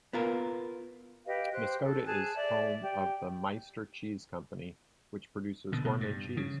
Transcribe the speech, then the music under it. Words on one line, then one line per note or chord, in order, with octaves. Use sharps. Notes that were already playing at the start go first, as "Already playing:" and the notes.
Muscoda is home of the Meister Cheese Company, which produces gourmet cheese.
B3 F4 A#4
G4 B4 D#5 F5
G4 C5 F#6
A4
G#4 G#5 A5 F#6
D5 E5
G4 G5
B2 D3
B2
G2
C#3